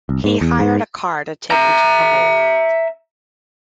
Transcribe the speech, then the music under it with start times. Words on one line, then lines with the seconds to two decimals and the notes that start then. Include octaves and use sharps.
He hired a car to take him to Kabul.
0.09 C2
0.24 G#2
0.41 E2
0.59 G#2
1.51 E5 A#5